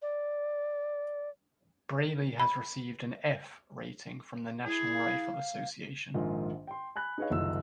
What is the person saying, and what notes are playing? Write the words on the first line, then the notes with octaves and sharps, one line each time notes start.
Braley has received an "F" rating from the National Rifle Association.
D5
B5
E4 G#4
F5
A#1 G#2 D#3 F4
G5 C6
G#5 B5 F#6
D#4 G#4 B4 C#5 D#5 F5
F#1 C2 D#3 F4 D#5 E6